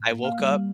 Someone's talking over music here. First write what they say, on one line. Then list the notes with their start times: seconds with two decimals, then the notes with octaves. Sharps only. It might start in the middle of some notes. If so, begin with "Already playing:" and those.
I woke up
Already playing: A2
0.11 A#3
0.24 F5
0.39 G3